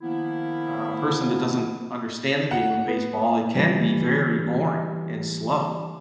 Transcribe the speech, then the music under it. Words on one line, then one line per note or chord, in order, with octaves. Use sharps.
uh, person that doesn't understand the game of baseball, it can be very boring and slow.
D#3 F3 A#3 B3 E4
F#5
B3
E3 G3